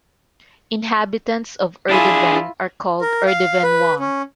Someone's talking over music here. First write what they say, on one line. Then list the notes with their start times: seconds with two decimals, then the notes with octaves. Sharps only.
Inhabitants of Erdeven are called "Erdevenois".
1.89 D4 E4 F4 G#4
3.01 A#4
3.26 F5
3.63 B4
4.00 C#4